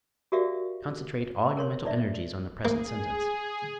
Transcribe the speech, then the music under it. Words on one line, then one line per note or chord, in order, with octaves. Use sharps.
Concentrate all your mental energies on the present sentence.
F#4 G4 A#4 D5 E5 F5
A#4 C#5 C6
D#4 D5 E5
A#3 G#4